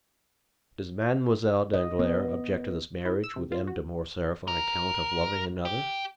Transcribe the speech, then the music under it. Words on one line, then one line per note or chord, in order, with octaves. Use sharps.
"Does Mademoiselle Danglars object to this marriage with M. de Morcerf on account of loving another?"
D#5
B3
E4
E6
C3
F4
F#4
A#4
G4